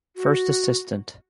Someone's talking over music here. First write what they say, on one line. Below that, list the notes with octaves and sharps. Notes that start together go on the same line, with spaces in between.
First Assistant.
F#4